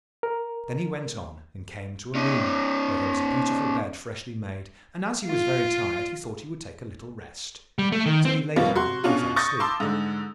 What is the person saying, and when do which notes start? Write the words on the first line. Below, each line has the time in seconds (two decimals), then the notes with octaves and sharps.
Then he went on, and came to a room where there was a beautiful bed freshly made, and as he was very tired he thought he would take a little rest; so he lay down and fell asleep.
0.23 A#4
2.15 C#4 D#4
5.27 F4
7.79 G3
7.92 A3
8.06 D#3
8.25 C4
8.56 F2 B2 F3 G3 A#3 B3
8.75 C3 F#4 C6
9.03 B2 C#4 D4 F4 F#4
9.36 C#6 D#6 G6 A6 A#6
9.60 A5 B5 C6 D6 E6
9.80 G#2 D3